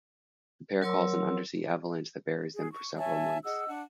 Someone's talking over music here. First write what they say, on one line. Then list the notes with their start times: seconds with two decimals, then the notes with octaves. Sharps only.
The pair cause an undersea avalanche that buries them for several months.
0.82 F#3 A#4 C#5 C6 E6
2.56 G#4
2.72 C#6
2.98 C#5 E5 G#5 A5
3.44 G#4 D#5 F#5 E6
3.68 D4 F#5